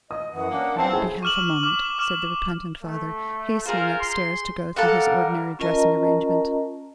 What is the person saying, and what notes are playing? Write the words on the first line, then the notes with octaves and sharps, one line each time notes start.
"I won't be half a moment," said the repentant father, hastening up-stairs to go through his ordinary dressing arrangement.
D#5 D#6
F#2 E3 F#5
A#3 C#4 D4
E3 C4 C#4 F5 A5
G#2 A3 E4 G#4
C#6 D6 F6 E7 F#7
D6 F6
D6 F6 E7
A3
F4 G#4 A#4 C5
C6
G3 A4 A#4 F5 F#5
C#4 F4 A#4 D#5 A5 A#5